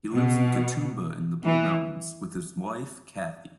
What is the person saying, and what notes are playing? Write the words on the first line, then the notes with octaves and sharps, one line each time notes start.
He lives in Katoomba in the Blue Mountains with his wife, Cathie.
B2
E3